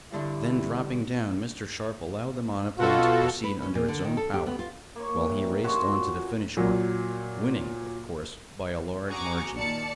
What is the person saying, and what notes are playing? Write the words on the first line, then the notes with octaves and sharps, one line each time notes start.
Then, dropping down, Mr. Sharp allowed the monoplane to proceed under its own power, while he raced on to the finish mark, winning, of course, by a large margin.
G2 D3 G3 E4
B2 F4 F#4 A4
B4
C#4
A#2
D3
D#3
A4
G4
B3
F4
A#3 C#5
G2 E3
F3 C#4 F4 F#4
A#2 F#3
F#4 G#4 A#5 C#6 D6
A#2 D#3 D5 A5 C#7